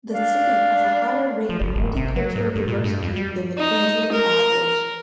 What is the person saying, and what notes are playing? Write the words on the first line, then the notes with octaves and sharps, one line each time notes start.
The city has a higher rate of multicultural diversity than the Queensland average.
D4 F5
F3
F#1
G#1
C3
F#3
G#2
G2
A#2
G2
F2
G3
D#4
A#4